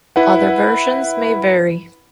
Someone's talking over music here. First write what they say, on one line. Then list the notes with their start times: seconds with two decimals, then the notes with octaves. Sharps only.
Other versions may vary.
0.16 E4 B4 F#5